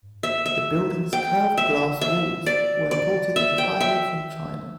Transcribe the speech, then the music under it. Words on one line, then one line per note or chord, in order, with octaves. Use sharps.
The building's curved glass walls were imported entirely from China.
E5
E5
G5
E5
E5
D5
D5
E5
G5
E5